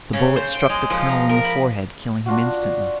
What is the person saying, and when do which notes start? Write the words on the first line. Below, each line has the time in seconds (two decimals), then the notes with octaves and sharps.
The bullet struck the colonel in the forehead, killing him instantly.
0.13 C#3
0.36 C5
0.55 G5
0.69 G#3
0.90 F3
1.09 A#5
1.29 A#4
1.44 B5
2.26 D4 F4 F#4